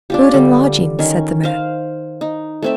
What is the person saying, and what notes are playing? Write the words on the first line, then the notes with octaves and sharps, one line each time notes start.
"Food and lodging," said the man.
D4 F4 G4
D3 G3 G4
D#3 C#4
C5 F5
D#4
A3 C4 E5